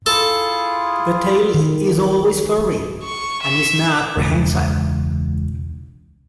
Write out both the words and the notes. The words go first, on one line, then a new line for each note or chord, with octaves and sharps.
The tail is always furry and is not prehensile.
E4 F4 G#4 A4
D#3
C#6
E5
E1 C#2